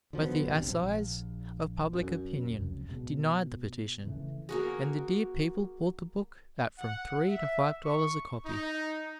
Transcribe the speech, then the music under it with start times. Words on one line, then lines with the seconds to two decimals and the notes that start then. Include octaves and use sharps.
But the Assize of Public Opinion denied the petition, and the dear people bought the book at from three to five dollars a copy.
0.13 D3 F3 F#3 B3
0.43 A#1 G2 C3
0.67 A#1
1.93 F#2
2.51 F1 C#2 F#2
2.89 B2 G#3
4.04 C#3 E3 G3 A3
4.49 A#3 F#4 G#4
6.78 F#5
7.27 E5
7.84 C#6
8.46 D#4